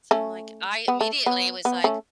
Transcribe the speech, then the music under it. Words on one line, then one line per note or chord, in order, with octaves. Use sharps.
so I'm like I immediately was like,
A3 C#4
B3
A3
B3
B3
A3 C#4